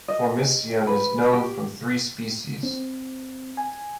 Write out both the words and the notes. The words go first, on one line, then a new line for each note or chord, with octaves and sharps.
"Formicium" is known from three species.
D#5
B4
G4
C4
G#5